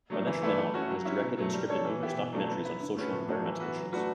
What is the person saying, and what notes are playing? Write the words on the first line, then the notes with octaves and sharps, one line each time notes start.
Ramesh Menon has directed and scripted numerous documentaries on social and environmental issues.
F#3 A3 D4
E3
A3 E4 B4 D5
A3
C#4 F#4
F#3
C#4 E4
B2
F#3 A3
G3
D4 A4 C#5
E3
B3 E4 G4
B2
F#3 A3 D4 A4
B3
E4 B4
D3
A3 C#4 F#4 B4
A2
F#3 A3 D4 F#4
E3
B3 F#4 B4
F#3
A3 D4 F#4 B4